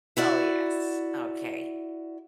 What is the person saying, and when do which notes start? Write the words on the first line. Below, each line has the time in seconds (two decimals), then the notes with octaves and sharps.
Oh, yes. Okay.
0.17 E4 F#4 D5